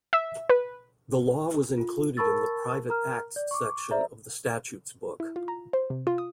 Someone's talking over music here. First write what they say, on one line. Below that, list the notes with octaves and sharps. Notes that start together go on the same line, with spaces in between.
The law was included in the "Private Acts" section of the statutes book.
E5
B4
F4
A#4 A5 B5 C#6 E6 A6
A#4 A#5 F6
D5
C#6 D6
C5 D5 E5 A#5
E4
F4
A#5
C5
C3
F4
D#6